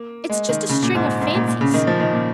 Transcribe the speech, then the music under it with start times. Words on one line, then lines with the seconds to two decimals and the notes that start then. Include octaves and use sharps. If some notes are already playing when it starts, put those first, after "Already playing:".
It's just a string of fancies.
Already playing: A#3
0.29 G#3
0.49 D#3
0.69 C#3
0.82 A#2
0.95 G#2
1.21 G#2
1.35 A#2
1.48 A#2
1.61 C#3
1.74 D#3
1.87 F3
2.00 D#3
2.13 A#2